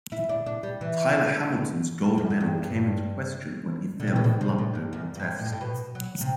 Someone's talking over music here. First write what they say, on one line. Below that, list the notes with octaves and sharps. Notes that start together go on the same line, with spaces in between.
Tyler Hamilton's gold medal came into question when he failed a blood doping test.
E4
D4
D4
G3
E3
F#2
F#2
G2
G2
D3
C3
B2
A2
C3
A2
G2
F#2
G2
A2
G2
A2
B2
F#3
C3